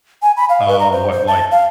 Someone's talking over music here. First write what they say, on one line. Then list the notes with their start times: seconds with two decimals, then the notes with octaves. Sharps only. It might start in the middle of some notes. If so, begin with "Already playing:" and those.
uh, what, like,
0.22 G#5
0.37 B5
0.49 F5
0.68 B4
0.80 A#5
0.92 C5
1.12 C5
1.27 A5
1.51 F5